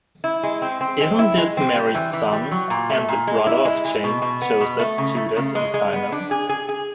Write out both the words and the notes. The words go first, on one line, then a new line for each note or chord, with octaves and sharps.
Isn't this Mary's son and the brother of James, Joseph, Judas and Simon?
E4
G#3
C4
C4
G#3
E4
G#3
C4
G3
E3
E3
G3
F#3
A#2
A3
A#2
G#3
E4
G#3
G#3
B2
B2
B3
B2
A3
C#3
A3
C#3
G#3
G#3
B3
D4
G#4
G#4
G#4